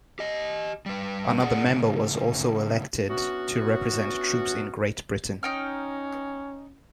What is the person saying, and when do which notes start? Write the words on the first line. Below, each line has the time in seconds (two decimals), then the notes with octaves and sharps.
Another member was also elected to represent troops in Great Britain.
0.19 G4 D#5
0.86 G3 B4
1.41 A#2 G#4 D5 F#5
1.66 A2 C#3
3.09 E3 F#3 B3 C#4 D4 F#4
5.43 C#4 D#4 G5 F6